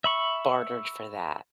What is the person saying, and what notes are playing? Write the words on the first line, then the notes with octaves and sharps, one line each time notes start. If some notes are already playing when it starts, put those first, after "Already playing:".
bartered for that.
E5 B5 C#6